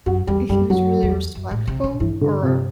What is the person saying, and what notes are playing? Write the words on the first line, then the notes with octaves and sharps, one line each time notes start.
He was really respectful or
F#2 F#4
E2 G3
F#2 G3
F#2 F#3
E2
F#2
A2
C3
B2
G2 E3
D3
C3